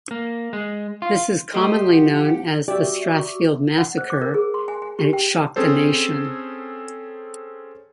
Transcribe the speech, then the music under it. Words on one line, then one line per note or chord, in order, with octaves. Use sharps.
This is commonly known as the Strathfield Massacre and it shocked the nation.
A#3
G#3
F4
A3 G4 C5 D#5
F3 F#5
F#4 G4 D5 E5
F#5
C5
D6
A#4
G#4
C6
G#5
G#5
G4
G5
C4 C#4 G#4 A4 C5